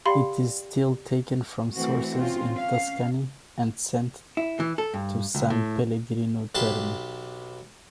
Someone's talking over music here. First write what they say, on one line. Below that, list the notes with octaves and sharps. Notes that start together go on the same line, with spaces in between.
It is still taken from sources in Tuscany and sent to San Pellegrino Terme.
G4 D5 F5 G5 B5 C6
E3 A3 C4 F#4
C4 C#4 F4
C#4 F5
E4
E3
A4
G2
C#2
A2
B1 G4 B4 A5 C6